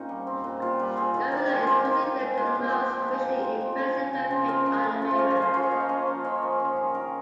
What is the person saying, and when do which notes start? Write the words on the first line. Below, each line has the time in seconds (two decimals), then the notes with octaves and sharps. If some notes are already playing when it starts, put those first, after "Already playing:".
Gorilla is considered the most visually impressive rapid on the river.
Already playing: A#2 C4 C#4 D#4
0.09 G3
0.27 C4
0.44 A#2
0.62 A#2 F4
0.79 G3
0.97 C4 G#4
1.14 D#3
1.32 D#3
1.50 G#3
1.63 C4 F4 G4
1.85 D#3
2.03 D#3
2.20 G#3
2.37 G#3 F4
2.46 G4
2.55 A#2 G#4
2.64 G4
2.72 C4 F4
2.90 F3
3.08 G#3 D#4
3.25 A#2
3.43 C4
3.61 F3
3.78 C4 F4
3.95 C#3
4.13 C#3
4.31 F3
4.48 C4 A#4
4.66 C#3
4.83 C#3
5.02 F3
5.10 C5
5.18 C#4 A#4
5.31 G#4
5.36 F3
5.42 C5
5.54 F3 C#5
5.63 F5
5.71 A#3 D#5
5.80 F5
5.89 C#4 D#5
6.07 F3
6.24 F3 C#5
6.42 A#3
6.59 C#4
6.76 D#3
6.94 D#3 A#4